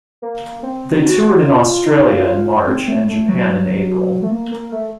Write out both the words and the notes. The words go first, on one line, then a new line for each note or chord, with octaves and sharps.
They toured in Australia in March and Japan in April.
A#3
C4
F#4
D#4
F4
D#4
F4
F4
C4
A3
A3
F#3
A3
A#3
A#3
A3